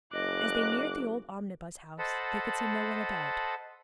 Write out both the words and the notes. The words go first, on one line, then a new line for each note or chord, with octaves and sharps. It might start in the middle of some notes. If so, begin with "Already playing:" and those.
As they neared the old Omnibus House they could see no one about.
F#1 D#5 D6 F#6
A4 C5 D#5 F#5 A5 B5